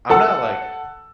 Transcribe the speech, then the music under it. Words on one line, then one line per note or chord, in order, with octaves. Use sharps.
I'm not, like
A4 F#5 A5 E6